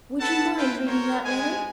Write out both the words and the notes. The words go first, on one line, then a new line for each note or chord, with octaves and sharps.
Would you mind reading that letter?
A4 B4 F#5 A5
E4 F4 B4 F5 G5
F#4 A#4 C5 C#5
G#3 B3 G#5